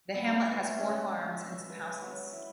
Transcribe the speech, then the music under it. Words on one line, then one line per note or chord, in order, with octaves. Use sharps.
The hamlet has four farms and some houses.
B3 E5
B4
A3
C#4
G#3 F#4
E5
B4
F#3
E4